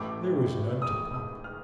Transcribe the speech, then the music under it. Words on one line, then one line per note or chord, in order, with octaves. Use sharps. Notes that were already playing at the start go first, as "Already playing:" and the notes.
There was none to pump.
Already playing: A1 A2 A3 D6
D#6
D#6
F6